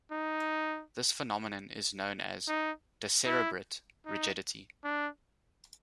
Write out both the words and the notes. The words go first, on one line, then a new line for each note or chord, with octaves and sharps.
This phenomenon is known as decerebrate rigidity.
D#4
D#4
E4
D#4
D4